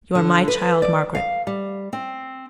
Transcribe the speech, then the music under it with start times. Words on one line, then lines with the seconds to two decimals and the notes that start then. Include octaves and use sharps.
You are my child, Margaret.
0.15 D3
0.48 B4
0.82 D5
1.15 F5
1.47 G3
1.93 C4